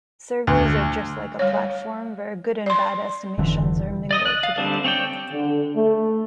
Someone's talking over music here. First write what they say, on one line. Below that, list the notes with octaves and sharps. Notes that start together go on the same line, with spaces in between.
Surveys are just like a platform where good and bad estimations are mingled together.
D2
G3 C#5
D5 C6
F1 D3 E3
D5 D#5 D#6
F#6
F5
D3 G3 C4 D4
C4 C#5 D5 G5
D3
A3